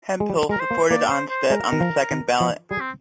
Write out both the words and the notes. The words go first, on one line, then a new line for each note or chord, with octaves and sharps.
Hemphill supported Anstett on the second ballot.
G#3
G3
G#3 A#4
C5
A#3
A#3 D5
C5
C5
G#3 A#4
D#3
F3
D#3
F3
G3 G#4
C4